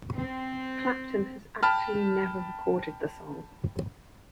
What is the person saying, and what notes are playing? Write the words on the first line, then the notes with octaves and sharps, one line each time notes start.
Clapton has actually never recorded the song.
C4
G5 A5 B5 F6